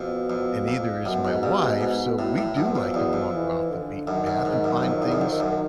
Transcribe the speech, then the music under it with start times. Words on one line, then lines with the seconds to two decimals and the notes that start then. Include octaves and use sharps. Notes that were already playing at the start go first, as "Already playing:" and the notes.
and neither is my wife, so we do like to wander off the beaten path and find things
Already playing: F2 B2
0.30 F2
0.68 F2
1.05 F#2 B2
1.25 G#2
1.43 G2
1.62 G#2
1.81 G#2
2.19 A2
2.38 A2
2.57 F#2 B2
2.75 F2
2.94 E2
3.13 F2
3.32 E3
3.70 D3
4.07 F#2 D#3
4.27 F#2
4.45 G#2
4.64 F#2
4.77 F#2
4.83 F2
5.02 E2
5.12 F#2
5.21 F2
5.40 F#2